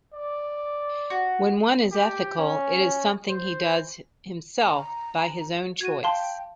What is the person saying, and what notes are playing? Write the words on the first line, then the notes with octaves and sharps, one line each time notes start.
When one is ethical, it is something he does himself by his own choice.
D5
F#4
G4
C#4
C5
A#5
F#4 G#6 D#7
F5 G5 A5 C6